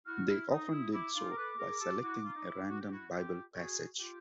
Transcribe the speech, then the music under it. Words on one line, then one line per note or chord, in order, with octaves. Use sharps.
They often did so by selecting a random Bible passage.
E4 F#4 F6
E4
D#4 D#6
E4
E4 D6
D#4 F4
A#4
A4 B4
G#4 A#4
G4 A4
E4 F#4
D#4 F4
D#4
E4
F#4
G4
E4 F#4
F4 G4
F#4 G#4
F4 G4